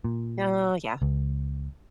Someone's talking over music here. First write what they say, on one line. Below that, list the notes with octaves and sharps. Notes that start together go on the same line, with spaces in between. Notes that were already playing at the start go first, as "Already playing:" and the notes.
Oh, yeah.
A#2
C#2